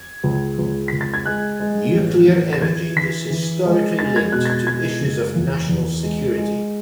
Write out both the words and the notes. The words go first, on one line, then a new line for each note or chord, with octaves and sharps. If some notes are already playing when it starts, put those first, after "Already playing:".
Nuclear energy is historically linked to issues of national security.
Already playing: G#6
C#2
C#2
C#2 B6
A6
G#6
G#3 F#6
G#3
A1
A1
A6
E3 G#6
E3 B6
E3
G#3
G#3 A6
G#6
B2 F#6
A6
G#6
G#3 G#6
F#1
E2
E2
G#3
G#3